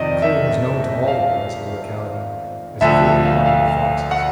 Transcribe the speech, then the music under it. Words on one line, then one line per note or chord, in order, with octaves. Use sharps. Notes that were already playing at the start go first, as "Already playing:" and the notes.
The clearing was known to all the boys of the locality as a favorite haunt of foxes.
Already playing: F2 C3 D#3 D5 D#5
E5
F5
D2 D3 F3 E5
F5
F5
F5
F#5